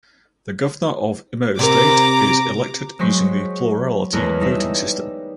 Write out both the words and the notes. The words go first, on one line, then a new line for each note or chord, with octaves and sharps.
The Governor of Imo State is elected using the plurality voting system.
C3 A#4 A#5 D6
F#3 G#3 C5 C#6 B6 C7
E2 G#3 A3 A#4 B4 C#5
G3 D#4 E5